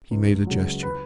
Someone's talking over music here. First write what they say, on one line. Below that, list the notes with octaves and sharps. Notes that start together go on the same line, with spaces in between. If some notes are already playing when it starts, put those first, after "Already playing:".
He made a gesture.
C#2
C#3 F#3
B4